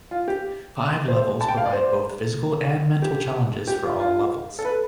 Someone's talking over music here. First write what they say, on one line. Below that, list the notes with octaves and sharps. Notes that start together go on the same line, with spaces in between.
Five levels provide both physical and mental challenges for all levels.
F4
G4
C5
A5
G5
F5
D5
C5
G4
G4
F4
F4
A4
B4